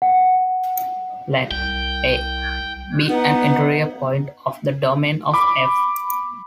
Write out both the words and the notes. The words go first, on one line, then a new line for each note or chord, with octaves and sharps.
Let "a" be an interior point of the domain of "f".
F#5
C2 G5
B3 D#4 B4 F#5
B5 D6